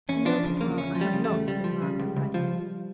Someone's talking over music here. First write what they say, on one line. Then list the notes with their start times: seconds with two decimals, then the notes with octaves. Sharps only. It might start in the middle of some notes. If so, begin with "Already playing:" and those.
'No, papa; I have not,' said Margaret, reddening.
0.09 E2 C#4
0.25 F3 D4
0.43 C#3
0.60 E2 A#3
0.77 E2 C#4
0.95 F3
1.01 G3
1.13 C#3
1.24 A3
1.30 E2
1.47 C#2 G3
1.64 F3
1.82 C#3
1.99 C#2
2.16 C#2
2.34 F3